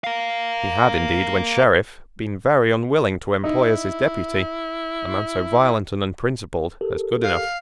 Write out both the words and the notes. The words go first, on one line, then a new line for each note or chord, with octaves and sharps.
He had, indeed, when Sheriff, been very unwilling to employ as his deputy a man so violent and unprincipled as Goodenough.
A#4 F5
D#4 E4
G4 A4 A#4
F5